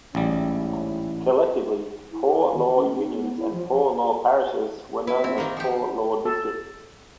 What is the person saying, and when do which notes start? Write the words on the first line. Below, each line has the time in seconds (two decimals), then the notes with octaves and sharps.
Collectively, poor law unions and poor law parishes were known as poor law districts.
0.15 A1 G#2 G3 C#4 E4
2.12 E4
2.25 G4
2.43 F5
2.55 D#3
2.75 C#4
2.97 D#4
3.16 B3
3.37 E4
3.53 F3
5.07 E4 B4
5.24 C4 E4
5.38 D#3 A#3
5.57 F3 G4
6.25 A4